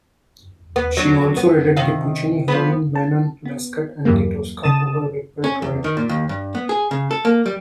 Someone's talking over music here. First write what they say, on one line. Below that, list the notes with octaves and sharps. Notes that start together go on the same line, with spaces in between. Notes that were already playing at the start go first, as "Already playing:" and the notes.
She also added the Puccini heroine "Manon Lescaut" and "Tosca" to her repertoire.
B3
F#3 D4
B3
C3 D#3 F5
F3 B3
A5
B3
E2 G2 E3 F#3 G3 A#3
C#3 A5 D#6 A6 E7
C#4
E2
D#3
A#2
D#2
G2
B3
G#4
C#3
A4
A#3
G3